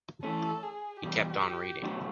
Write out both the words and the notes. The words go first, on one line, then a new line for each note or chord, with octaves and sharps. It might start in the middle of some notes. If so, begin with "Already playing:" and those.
He kept on reading.
E3 A3 C#4 A4
G#4
E2 B2 G3 G4
B2 F#3 A3 D4 F#4